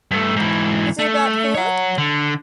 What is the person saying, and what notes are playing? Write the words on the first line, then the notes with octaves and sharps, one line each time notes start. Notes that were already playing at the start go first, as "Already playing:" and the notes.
Is it about her?
G2 A3
G#2 E3
A3
C#5 F#5
D3